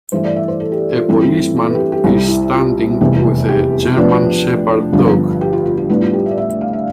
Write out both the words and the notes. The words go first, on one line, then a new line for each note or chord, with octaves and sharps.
A policeman is standing with a German Shepherd dog.
G2 E3 A3 E4 C5
D5
E5
C5
A4
G4
F4
G2 E3 A3 C4 E4
A4
B4
G4
A4
G4
C2 C3 G3 E4
E4
F4
F1 E2 C3 G3
G4
A2 F3 B3 D4
G1 G2 D3 F3 B3
G4
F4
F4
F4
A2 G3 B3 D4 E4
F4
G4
E5
D5
E5
E5
F5
E5